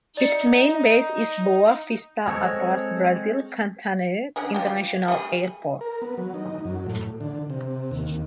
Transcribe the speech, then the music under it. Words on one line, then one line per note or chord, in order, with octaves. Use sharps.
Its main base is Boa Vista-Atlas Brasil Cantanhede International Airport.
D#4 D5 C#7
G#3 C4 A4 C#5
D3 C#4 G#4
F4 G4
G3 A3 G#4
A#4
B3
F#3
D#4
F#2
A2
D3
C3
D#2